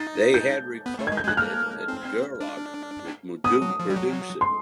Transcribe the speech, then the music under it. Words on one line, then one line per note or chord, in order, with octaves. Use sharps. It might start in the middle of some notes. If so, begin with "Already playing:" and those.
They had recorded it at Gerlog with Magoo producing.
Already playing: D#4 A6
G6
B3
A3
G#3 G#6
G6
G#3 F#6
A#3 F6
C4
D4
B3 D#6
F#3
F3
G3
F#3
C6